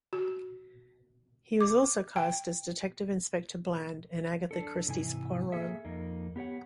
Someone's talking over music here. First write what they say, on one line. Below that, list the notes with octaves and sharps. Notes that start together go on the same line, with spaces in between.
He was also cast as Detective Inspector Bland in Agatha Christie's Poirot.
F#4
D6
G5
D4 A4
G#2 C3 E3 G#5
A#3 G#4 A4 E5
F2 A#3 D#4
B3 G4 C#5 F#5